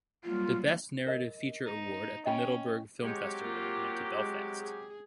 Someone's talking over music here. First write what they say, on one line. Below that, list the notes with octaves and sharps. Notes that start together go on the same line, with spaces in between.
The Best Narrative Feature award at the Middleburg Film Festival went to "Belfast".
F#3 G3 A#3 F4
A#4 D#5
D#4
C#4 D#5 G5 B5
C3 F#3 G#3 G4 C#5
A#3 F4
G#3
G#4